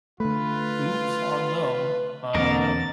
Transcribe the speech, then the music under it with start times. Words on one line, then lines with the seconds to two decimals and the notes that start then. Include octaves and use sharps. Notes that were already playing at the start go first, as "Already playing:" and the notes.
Oops on them. Uh,
0.20 D3 A3 F4 B4
2.34 E2 D3 A#3 C4 A#4 A6